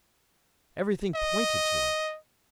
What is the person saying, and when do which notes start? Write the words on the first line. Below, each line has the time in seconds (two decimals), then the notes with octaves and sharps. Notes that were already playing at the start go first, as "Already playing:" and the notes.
Everything pointed to it.
1.15 D#5